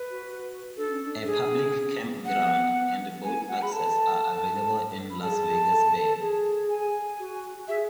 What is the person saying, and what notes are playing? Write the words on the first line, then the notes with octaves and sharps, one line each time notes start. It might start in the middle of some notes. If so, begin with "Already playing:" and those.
A public campground and boat access are available in Las Vegas Bay.
Already playing: B4
F#4
F#4
D4 A4
C#4
D4
D4 G#4
C#4
B3
C#4 F#5
B3
C#4 G#5
E4
F#4 F#5
G#4 B5
A4 A5
B5
G#4 A4 A5
A4
A4
G#4
G#5
F#4
F#4
G#4 E5